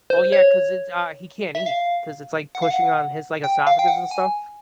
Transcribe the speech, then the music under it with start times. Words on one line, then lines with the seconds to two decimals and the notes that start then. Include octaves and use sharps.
Oh, yeah, 'cause it's, uh he can't eat 'cause it's, like, pushing on his, like, esophagus and stuff,
0.10 C5
0.32 C#5
1.55 E5
1.66 F5
2.55 F#5
2.62 F5
2.70 F#5
3.44 G5
3.67 F5
3.79 G5
3.88 F#5
4.11 G#5